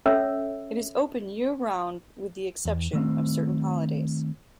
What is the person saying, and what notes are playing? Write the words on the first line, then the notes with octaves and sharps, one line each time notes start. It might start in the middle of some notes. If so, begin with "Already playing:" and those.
It is open year-round with the exception of certain holidays.
C#4 A4 C#5 E5 E6
E2
D#3 A3 C4